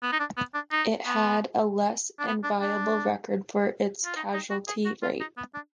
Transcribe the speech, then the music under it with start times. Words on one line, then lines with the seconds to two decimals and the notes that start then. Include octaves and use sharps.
It had a less enviable record for its casualty rate.
0.02 B3
0.12 D#4
0.19 D4
0.37 B3
0.54 D4
0.72 D#4
1.06 B3
2.19 D4
2.27 B3
2.44 D4
2.61 D4
4.05 F4
4.16 D#4
4.34 D#4
4.50 F#4
4.68 G#4
4.85 F#4
5.02 F4
5.20 D#4
5.37 B3
5.54 D4